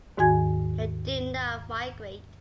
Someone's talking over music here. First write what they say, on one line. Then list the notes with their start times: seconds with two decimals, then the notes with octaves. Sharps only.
They do not migrate.
0.17 D#2 G#2 D#3 F#4 G#5 G#6